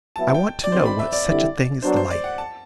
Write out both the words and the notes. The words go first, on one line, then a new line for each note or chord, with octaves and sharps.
I want to know what such a thing is like.'
F#3 B3 E4 A5
G5
D5
D3 F#3 C4 C5
B5
E5
D5
D3 G3 C4 E4
F#3 B3 D4 C5
C5
D5
F#5
A5